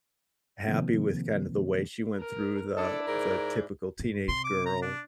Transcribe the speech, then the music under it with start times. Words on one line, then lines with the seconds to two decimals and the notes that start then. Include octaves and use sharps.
happy with kind of the way she went through the the typical teenage girl
0.67 C3 D#3 F3 A#3 C4
2.19 A#4
2.77 D4 E4 A4 D5
3.07 G#2 A#4
3.99 G2
4.28 C3 C6
4.45 D6
4.66 A#5
4.82 D4